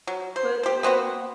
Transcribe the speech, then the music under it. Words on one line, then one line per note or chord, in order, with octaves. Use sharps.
But, you know,
F#3
C5
G4 C5
B3 C4 F#4 F#5